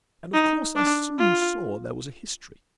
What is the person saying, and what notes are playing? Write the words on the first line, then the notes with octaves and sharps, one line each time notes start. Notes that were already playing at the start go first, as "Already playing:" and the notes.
And of course I soon saw there was a history.
D#4
D4
F4